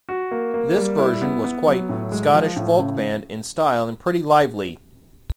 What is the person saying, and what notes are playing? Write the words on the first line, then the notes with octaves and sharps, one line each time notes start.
This version was quite "Scottish folk band" in style and pretty lively.
F#4
A#3
A#3
G3
E4
B3
B3
F#3
A2
G#3
F3
A2
C#3